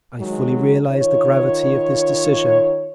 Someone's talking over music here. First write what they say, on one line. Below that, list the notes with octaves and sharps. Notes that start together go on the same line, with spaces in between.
I fully realise the gravity of this decision.
D#3 F#3 G#3
D#3 F4 C#5